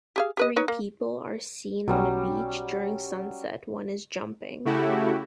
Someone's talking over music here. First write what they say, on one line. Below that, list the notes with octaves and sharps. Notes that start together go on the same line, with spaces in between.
Three people are seen on a beach during sunset, one is jumping.
G4 G#4 F5
G4 B4 D#5
D#4 B4 C#5
A#3
B1 F#3 G3 C#4
C#3 A3 E4 F#4 G4